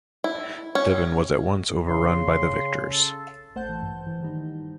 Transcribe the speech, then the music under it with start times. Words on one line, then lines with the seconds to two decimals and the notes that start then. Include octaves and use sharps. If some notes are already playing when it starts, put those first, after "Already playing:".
Devon was at once overrun by the victors.
0.24 E4
0.75 C#4
1.88 C#3 C6
2.92 A4
3.55 A1 A3 C5 F#5 A5 G6
3.69 E3
3.82 G2
4.07 E3
4.20 D#3 G3 D#4